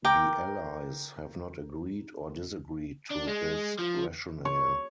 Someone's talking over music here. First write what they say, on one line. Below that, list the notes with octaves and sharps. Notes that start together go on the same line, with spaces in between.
The Allies have not agreed or disagreed to this rationale.
A#4 G5 D6
D4
G#3
F3
C#5